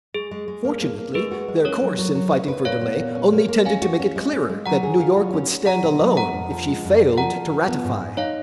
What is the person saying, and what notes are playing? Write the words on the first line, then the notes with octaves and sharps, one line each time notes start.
Fortunately, their course in fighting for delay only tended to make it clearer that New York would stand alone if she failed to ratify.
G#3 G#4
G#3
G#3
A#3
A#3
A#3
G#3 G#4 B4
F#4
G#3
C#4 A#4 C#5
F#3
F#3
F#3
B4
B4
A#2 C#5 F5
B3
A#2
C#4
A#3
A#3
C#4 F5 G#5
F#4
C#4
G#3
C#4
G#3
F#3 F#5 A#5
G#4
F4
F#3
C#4
C#4
F#3 F#5 A#5
B2
F#3
G#3 F#5 A#5
F2
F3
G#3
F2
F2
F3 F#5 A#5
F3
F3
B3
G#2
G#2
D#4 C#5 F5